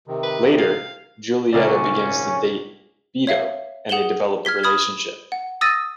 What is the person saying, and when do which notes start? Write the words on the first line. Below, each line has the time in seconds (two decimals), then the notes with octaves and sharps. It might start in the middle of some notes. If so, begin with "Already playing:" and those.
Later, Julieta begins to date Beto and they develop a relationship.
0.08 C3 D#3
0.23 B4
0.59 F5
1.53 G#1 C#2 A#2 C#4 D5
3.27 C#5 E5 F5
3.89 G#4 F#5 E7 F#7 G7
4.45 F6 G#6 B6 G7
4.63 B5 D#6 F6 G#6
5.32 F#5
5.61 D#6 E6 A6 A#6 D#7